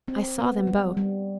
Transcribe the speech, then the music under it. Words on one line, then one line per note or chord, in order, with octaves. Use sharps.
I saw them both.
C4
B3
G3
G3